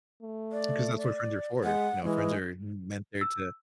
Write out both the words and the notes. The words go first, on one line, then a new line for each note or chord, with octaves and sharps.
'Cause that's what friends are for. You know, friends are m meant there to
A3
D5
D5
G#3 F#5
E3 G#3
E6